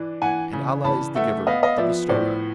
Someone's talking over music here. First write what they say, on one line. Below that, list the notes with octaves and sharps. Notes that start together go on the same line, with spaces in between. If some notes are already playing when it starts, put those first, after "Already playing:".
And Allah is the Giver, the Bestower!
Already playing: E3 D4
E3 F#5 G#5
C#3
E3 A5 B5
A3 E5 F#5
B3 D#5 F5
D#5 F5
F3 D5 E5
A2 C5 D5